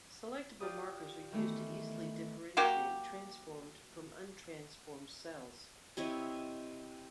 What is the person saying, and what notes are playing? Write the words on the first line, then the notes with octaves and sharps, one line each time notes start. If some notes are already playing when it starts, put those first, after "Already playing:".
Selectable markers are used to easily differentiate transformed from untransformed cells.
F4 G4 D5 D#6
D#3 E3 A3 B3
F#3 A#3 F#4 G4
C3 E4 C#5 D#5